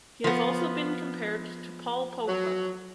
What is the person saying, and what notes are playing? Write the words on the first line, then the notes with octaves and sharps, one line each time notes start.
He has also been compared to Paul Pogba.
F3 B3
F#3